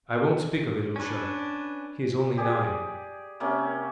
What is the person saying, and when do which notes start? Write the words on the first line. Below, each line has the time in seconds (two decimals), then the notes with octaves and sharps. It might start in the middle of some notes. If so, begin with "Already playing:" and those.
I won't speak of Ilusha, he is only nine.
0.96 C#4 D4 B4
2.38 G4 G#4 D5
3.40 C3 A#3 C#4